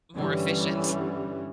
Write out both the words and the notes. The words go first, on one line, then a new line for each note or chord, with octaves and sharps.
e more efficient.
G2 D3 E3 G3 C#4